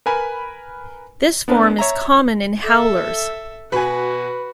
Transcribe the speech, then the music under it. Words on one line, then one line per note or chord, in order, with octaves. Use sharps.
This form is common in howlers.
A#4 B4 G#5 B5
B3 D4 A#4 B4
C#5 E5 A#5
A4 E5
B2 F#4 B4 G#5